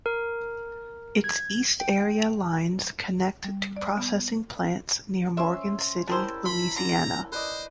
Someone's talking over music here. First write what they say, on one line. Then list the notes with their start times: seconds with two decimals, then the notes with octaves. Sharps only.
Its East Area lines connect to processing plants near Morgan City, Louisiana.
0.06 A#4
1.24 G#6
1.80 G5
3.44 G3
3.77 D5
3.97 B3
5.37 C#4 C5 E5 E6
6.07 G3 E4 G#4 A#4 C5 A5
6.46 B5 C6
6.76 D3 A#5
7.32 B4 C5 D5 D#5